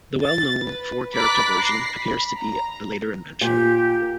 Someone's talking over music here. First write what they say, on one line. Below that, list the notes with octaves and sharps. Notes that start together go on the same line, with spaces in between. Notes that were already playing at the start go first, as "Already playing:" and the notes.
The well-known four-character version appears to be a later invention.
A6
B4
A#5 B5 D6 F#6 A6 B6
A#6 C7
B5
A#5
A#2 G4